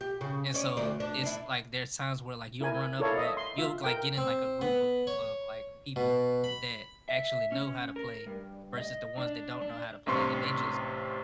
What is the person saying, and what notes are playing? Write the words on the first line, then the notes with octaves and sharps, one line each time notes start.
And so, it's, like, there's times where, like, you'll run up with you'll g like, get in, like, a group of of, like, people that actually know how to play, versus the ones that don't know how to play, and they just
G4
C#3
C#4 D5
D2 D5
D4
D4 E4
E4 A#4 G#5
E4 A4 A#4 C#5 D5 F5
D#5 E5
C6
F4 E5
A#4 G5
C4
B3
C#5
B2
B5
E5
C#4
A#4
G2
D#5
D4
D4
A1 G2 C3 C6 C#6